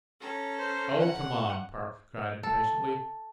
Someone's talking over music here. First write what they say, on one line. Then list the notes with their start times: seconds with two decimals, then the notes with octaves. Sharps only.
"Oh, come on," Park cried impatiently.
0.20 C#4 A4 A#5
0.59 C5
0.99 F#5
2.43 A4